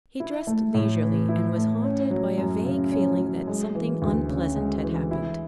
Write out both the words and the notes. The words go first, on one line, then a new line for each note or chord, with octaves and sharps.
He dressed leisurely, and was haunted by a vague feeling that something unpleasant had happened.
E4
A3
A2
E3
E4
A3
C#4
F#3
F#2
C#3
C#4
F#3
G#3
E3
D2
C#3
G#3
E3
E4